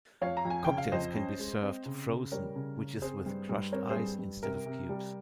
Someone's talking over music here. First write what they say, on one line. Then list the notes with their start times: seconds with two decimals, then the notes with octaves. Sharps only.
Cocktails can be served "frozen" which is with crushed ice instead of cubes.
0.21 F2 C#5 F5
0.37 A#5
0.45 F2
0.50 G#5
0.65 C#3 G5
0.78 F5
0.92 F2 C5 D#5
1.15 C#4
1.39 G#3
1.62 C4
1.86 C#3
2.09 C#3
2.32 G3 A#4 C#5
2.56 C#3
2.79 C#3
3.02 C4 G#4 C5
3.26 G2
3.49 G2
3.72 C4 A#4 C#5
3.90 G#4 C5
3.96 G2
4.19 G2
4.43 C3 A#4
4.66 C3
4.89 G3